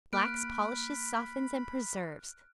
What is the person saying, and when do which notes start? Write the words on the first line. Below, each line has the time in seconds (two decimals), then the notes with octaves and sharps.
Blacks, polishes, softens and preserves.
0.13 A#3 B5 F6 F#6 D7